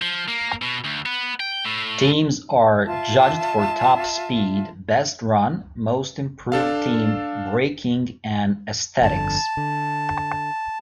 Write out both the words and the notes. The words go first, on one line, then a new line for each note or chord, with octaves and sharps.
Teams are judged for top speed, best run, most improved team, braking, and aesthetics.
F3
A#3
B2
D2
B3
G5
A2
F4 E5 A5
D4 A4 F5
G1 F2 D3 A5
D3